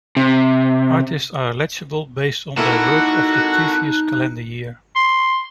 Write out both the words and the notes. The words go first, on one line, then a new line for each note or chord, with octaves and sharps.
Artists are eligible based on their work of the previous calendar year.
C3
A#3 D#4 E4 F#4 A4 A5 A#5 F#6
C6